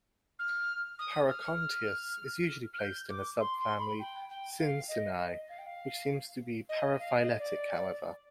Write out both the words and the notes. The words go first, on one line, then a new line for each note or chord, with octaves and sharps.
"Paracontias" is usually placed in the subfamily Scincinae, which seems to be paraphyletic however.
F6
D#6
F6
F6
G6
D6
C6
C6
B5
G5
G5
F5
D#5
D#5
F5
G5
F5
D#5
F5
D#5
D5